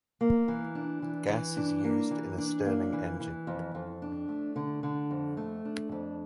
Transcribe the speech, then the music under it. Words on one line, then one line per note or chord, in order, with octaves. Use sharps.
Gas is used in a Stirling engine.
A#3
E3
D4
E3
E3
D4
A#3
E3
D4
A#3
E3
E3
F2
F2
D4
A3
D3
D3
F2
A3
D4
F2